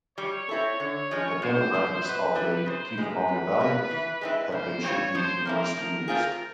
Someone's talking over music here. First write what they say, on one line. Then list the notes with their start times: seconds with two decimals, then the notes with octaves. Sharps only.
The demographics of the Cucamonga Valley have been shifting in recent years.
0.17 G3 C#5
0.49 C4 E4 A4
0.80 D3 C#5
1.11 F3 G#3 C#4
1.42 A#2 C5
1.73 F3 A3 C#4
2.04 B2 B4
2.35 G3 C4 E4
2.66 C#3 C5
2.98 F3 G#3 B4
3.28 A2
3.60 F3 A#3
3.91 E3
4.21 G#3 C4 E4
4.52 C#3 C5
4.83 E3 G3 C4 F4 C#5
5.15 F3 C5
5.45 A#3 C#4 E4 A#4
5.77 F3
6.08 A3 C4 F4 G#4